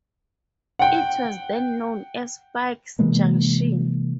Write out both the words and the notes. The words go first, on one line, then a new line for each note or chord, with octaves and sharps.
It was then known as Pike's Junction.
F#5 G5
C3 E3 G#3 A#3